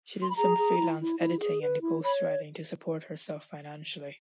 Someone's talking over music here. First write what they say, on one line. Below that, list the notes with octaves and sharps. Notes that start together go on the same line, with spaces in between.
She did some freelance editing and ghostwriting to support herself financially.
C6
B5
G#4 A#5
G#4
E4
E4
E4
G#4
B4
E4
C#5 B5